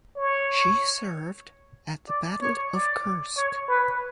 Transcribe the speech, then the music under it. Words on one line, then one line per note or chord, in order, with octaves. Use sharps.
She served at the Battle of Kursk.
C#5
D5
C#5
D5
C#5
B4